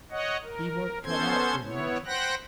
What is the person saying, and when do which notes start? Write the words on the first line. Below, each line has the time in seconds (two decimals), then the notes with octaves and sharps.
He weren't cut out for a merchant.
0.11 C#5 D#5 F#5
0.43 A#4
1.04 B3 C#4 A4 C5 C6 G#6
1.65 B3 E4 C#5
2.05 C5 F#5 G5 B5 F#6 A#6